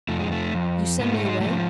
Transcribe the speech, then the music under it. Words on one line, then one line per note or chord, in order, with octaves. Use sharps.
"You send me away?"
F2 A3
G#3
A3
F2
G#2 B3
A3
G#3
A3
F3